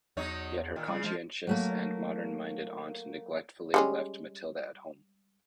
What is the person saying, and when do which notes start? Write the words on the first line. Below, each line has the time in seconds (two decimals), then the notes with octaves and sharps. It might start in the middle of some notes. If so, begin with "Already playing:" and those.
Yet her conscientious and modern-minded aunt neglectfully left Matilda at home.
0.17 E2 F#3 D#4 C#5
0.76 A#2 D#3
0.88 C#3 G3
1.04 F3 G#3
1.47 F#3 A3 A#3
3.74 G3 G#3 C#4